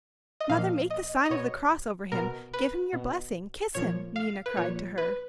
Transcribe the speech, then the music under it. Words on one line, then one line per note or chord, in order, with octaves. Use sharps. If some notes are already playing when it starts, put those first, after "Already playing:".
"Mother, make the sign of the cross over him, give him your blessing, kiss him," Nina cried to her.
D#5
A#2 F3 F5
D#5
D#5
B2 C#5
B2 A#4
B4
B2
A#2 F3 C#5
F5
B4
A#2 F3 C#5
B4